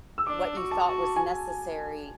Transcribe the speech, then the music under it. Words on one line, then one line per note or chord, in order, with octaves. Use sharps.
what you thought was necessary,
E6
D4 D6
F#4
A5
F#4
G#5